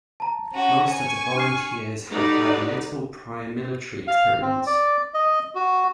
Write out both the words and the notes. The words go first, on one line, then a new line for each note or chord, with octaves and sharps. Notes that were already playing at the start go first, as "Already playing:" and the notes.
Most of the volunteers had had little prior military experience.
A5 A#5
C#4 F#4
G#5 C#6
D4 F6 C7
G3 D#4 F#4 A4 B4 D5
F5
C4
D5
D#5
F#4